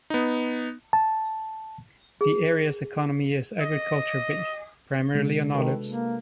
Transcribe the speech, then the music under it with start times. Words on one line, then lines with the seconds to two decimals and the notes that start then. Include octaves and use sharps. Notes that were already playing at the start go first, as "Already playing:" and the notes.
The area's economy is agriculture-based, primarily on olives.
0.10 B3 D#4
0.93 A5
2.21 G#4
3.60 D#5
5.14 C3 G#3 D4
5.53 D#3 F#4 A4 B4
5.87 A#3